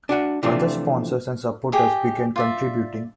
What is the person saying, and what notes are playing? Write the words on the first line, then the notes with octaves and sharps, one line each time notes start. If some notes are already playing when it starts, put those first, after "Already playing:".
Other sponsors and supporters began contributing.
D4 F#4 F#5
C3 E3 F3 A3 D4 F4
G4 G#4 D#5
F4 D5 E5